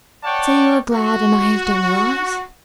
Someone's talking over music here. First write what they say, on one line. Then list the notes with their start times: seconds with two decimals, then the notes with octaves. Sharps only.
"So you are glad and I have done right?"
0.24 C#5 D5 F#5 G5 A5 C#6
0.92 F#4